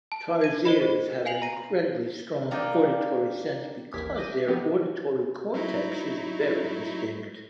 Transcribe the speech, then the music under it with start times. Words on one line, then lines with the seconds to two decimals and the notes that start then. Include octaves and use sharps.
Tarsiers have an incredibly strong auditory sense because their auditory cortex is very distinct.
0.12 A5
0.41 G#6 D#7
0.65 C5 D#5 B5
0.81 G#4 C5
1.25 F5 G#5 C7 F7 F#7
1.42 A#5 A#6 D#7
2.51 D#3 A#3 D4 D#4 G4 D#5
3.94 A1 D#2 G4 A#4 G#6 B6
4.15 D6 D#6 G6 A#6 D#7
4.32 E5
4.48 D#3 F3 B3 C4 D#4 G4
5.54 F#3 D#4 E4